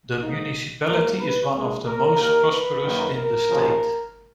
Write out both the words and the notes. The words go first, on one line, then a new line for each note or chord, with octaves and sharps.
The municipality is one of the most prosperous in the state.
G#2 D#3 A#3 D#4
G#2 F#3 A#3 A#4
B4
A#1 A#2 G#3
A#4
D#2 D#3 A#3 A#4
B4
F#2 D#3 A#3
A#4
D#2 C#3 F3